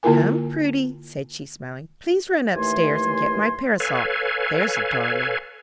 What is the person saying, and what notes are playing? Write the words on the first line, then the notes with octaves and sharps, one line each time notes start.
"Come, Prudy," said she, smiling, "please run up stairs and get my parasol--there's a darling."
D3 A#3 E4 F4 A#4 G#5
D#2 E3 A3 G#5 C6
A4 B4 C#5 F5 G#5